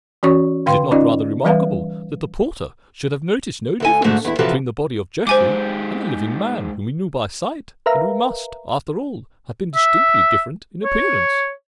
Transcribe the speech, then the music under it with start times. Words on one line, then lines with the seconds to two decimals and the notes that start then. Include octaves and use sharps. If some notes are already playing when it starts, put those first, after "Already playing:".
"Is it not rather remarkable that the porter should have noticed no difference between the body of Jeffrey and the living man whom he knew by sight, and who must, after all, have been distinctly different in appearance?"
0.23 E3 C#4 F#4 C#5 C#6
0.66 D3 B4 F5 G5 C6
0.91 C#4 D#4 F4 D5 D#5
1.45 E3 G3 B4 E5 F5
3.80 D2 A4 G#5
4.04 G#2 D3 A3 F#4
4.25 E2 E4
4.39 C3 E3 F3 F#4 G4 A4
5.27 G#2 G4 C5 G#5 D6
7.86 A#4 B4 E5 F5 A#5
9.75 E5
10.84 C#5